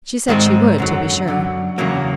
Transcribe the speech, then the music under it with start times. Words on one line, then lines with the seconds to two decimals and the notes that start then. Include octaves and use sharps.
She said she would, to be sure.
0.28 G#2 D#3 G#3 C4
0.78 F#2 D3 F#3
1.28 F#2 D3 F#3
1.78 E2 C#3 F#3 A#3